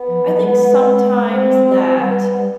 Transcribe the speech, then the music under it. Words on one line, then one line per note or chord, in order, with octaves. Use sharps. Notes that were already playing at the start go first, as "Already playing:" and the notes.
I think sometimes that,
Already playing: B3
F3
F#3
G#3
G#3
C4
G3 B3